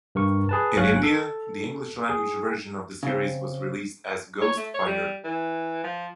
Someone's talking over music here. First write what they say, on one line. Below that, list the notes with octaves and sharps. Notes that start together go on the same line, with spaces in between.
In India the English-language version of the series was released as "Ghost Fighter".
G2 A#4 C#6
G#4 B4 A5
G1 F#3 C#5 F5 G#5 F#6
A4
G#4
C#3 C4
C#5
A3
C#5
G3
E3
F3